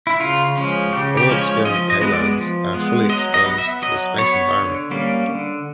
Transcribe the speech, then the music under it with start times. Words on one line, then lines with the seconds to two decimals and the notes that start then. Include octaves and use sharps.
All experiment payloads are fully exposed to the space environment.
0.07 E4
0.20 C#3 F4
0.57 F3 G#3 C#4
0.93 C#3 G4
1.17 G4
1.29 F3 G#3 C#4
1.41 C#5
1.65 F3 D#5
1.90 D#5
2.01 G#3 B3
2.13 D5
2.38 F3
2.74 G#3 B3
3.10 F#3 D#5
3.34 D#5
3.46 B3
3.58 E5
3.82 F#3 D#5
4.18 B3 C#5
4.54 D3
4.91 G3 A#3 C#4
5.27 D3